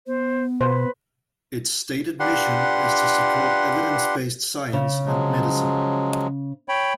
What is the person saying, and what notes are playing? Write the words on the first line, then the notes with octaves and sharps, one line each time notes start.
Its stated mission is to support evidence-based science and medicine.
B3 C5
B2 B4 C5
D4 F4 G4 B4 F#5 C6
C#3
F3 F#3 G#3
C#5 G5 B5